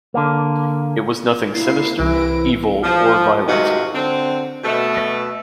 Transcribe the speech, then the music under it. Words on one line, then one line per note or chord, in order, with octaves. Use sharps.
It was nothing sinister, evil or violent.
D3 A#3
A#3 E4 C7
C2 C3 E3 E4 A#6 D7
F3
G#2 C3 D#3 F4 F#4
D3 C4
B2 A3